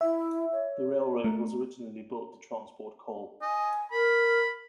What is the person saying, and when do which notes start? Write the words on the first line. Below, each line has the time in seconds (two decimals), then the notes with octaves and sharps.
The railroad was originally built to transport coal.
0.01 E4 E5
0.52 C#5
1.24 A3 A#5
3.42 D#5 G#5
3.92 A#4 B5